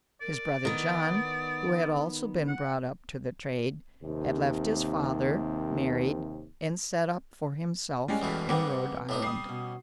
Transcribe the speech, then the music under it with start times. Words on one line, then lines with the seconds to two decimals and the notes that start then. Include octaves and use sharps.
His brother John, who had also been brought up to the trade, had left his father, married, and set up for himself in Rhode Island.
0.21 A#4 D5
0.65 D#3 B3 D#6
2.47 F#5
4.03 D#2 C3
8.08 G3 G#3 C#4 G5
8.22 E2 B2 A3
8.49 G#2 G3 A#3 C4 B4 F#5
9.09 A2 D4 D#4
9.22 G3 D#6 C7
9.45 B2 C#4